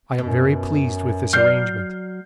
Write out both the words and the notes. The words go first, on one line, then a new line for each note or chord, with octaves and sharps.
I am very pleased with this arrangement.
F#2 B2
F#3 D5 F6 G6 C7